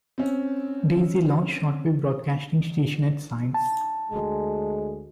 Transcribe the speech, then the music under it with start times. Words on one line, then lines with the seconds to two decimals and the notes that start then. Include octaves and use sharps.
There is a large shortwave broadcasting station at Sines.
0.18 C4 C#4
3.54 A5
4.11 D2 G#3